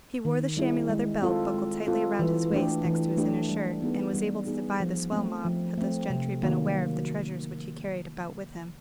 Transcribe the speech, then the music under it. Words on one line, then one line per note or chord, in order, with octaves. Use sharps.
He wore the chamois-leather belt buckled tightly round his waist next to his inner shirt, and was able to defy the swell-mob, had those gentry been aware of the treasures which he carried about with him.
D#3
G3 C4 E4 G#4
G#3
C4 F4 A4
G#3
C4 F4 A4
E3
A3 D4 G4
E3
A3 D4 G4
G3
B3 D#4 G#4
G3
B3 D#4 G#4
F3
A3 C4
F3
A3 C4
C3
D#3 F#3 A#3